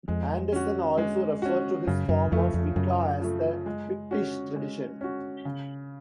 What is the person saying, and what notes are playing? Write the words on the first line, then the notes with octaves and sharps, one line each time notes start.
Anderson also referred to his form of Wicca as the "Pictish" tradition.
F2 G#3
C#4 F#4
G#3
C#4 F#4
F#2 C#3
F#2
F2 F3 A3
F2
F#2 C#3
F3 A3
G#3
C#4 F#4
G#3
C#4 F#4
C#3